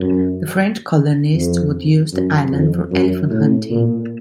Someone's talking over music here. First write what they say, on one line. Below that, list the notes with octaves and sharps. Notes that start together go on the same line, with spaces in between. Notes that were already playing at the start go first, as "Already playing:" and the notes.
The French colonists would use the island for elephant hunting.
Already playing: F#2
F2
F#2
F2
F#2
A2
A#2